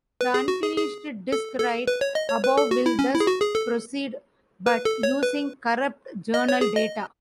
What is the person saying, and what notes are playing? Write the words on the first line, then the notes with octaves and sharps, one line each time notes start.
The unfinished disk write above will thus proceed, but using corrupt journal data.
B4
G#4
F#4
G#4
G#4
A4
A4
B4
C#5
D#5
C#5
B4
A4
F#4
E4
C#4
E4
G#4
F#4
G#4
A4
B4
A4
C#5
B4
D#5
C#5
G#4
D#5